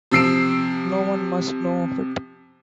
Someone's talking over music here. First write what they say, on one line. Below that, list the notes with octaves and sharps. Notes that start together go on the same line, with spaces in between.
No one must know of it.
C3 F3 E6 C7 D7 E7